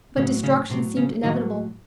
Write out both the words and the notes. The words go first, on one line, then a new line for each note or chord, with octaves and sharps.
But destruction seemed inevitable.
A2 C#3 F#3 C#4
C#3 C#4
A2 C3 F#3 C4
C#3 C#4
A2 D#3 F#3 D#4